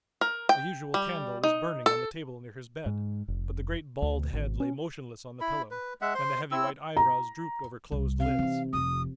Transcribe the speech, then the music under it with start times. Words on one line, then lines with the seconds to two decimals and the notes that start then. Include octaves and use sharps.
The usual candle was burning on the table near his bed, but the great bald head lay motionless on the pillow, and the heavy white eyebrows drooped over closed lids.
0.21 A#4
0.49 G5
0.94 G3
1.43 D#4
1.86 A4
2.86 G#2
3.28 F1
4.02 D2
4.33 G#1
4.60 C#4
5.41 E4 B5
5.71 B4
6.01 G#3 E5 F#5
6.15 C5 C6
6.51 C4 E4 E6
6.97 A#5
7.92 C2
8.20 C3 F5
8.39 E3 D#4
8.73 F1 F3 D#6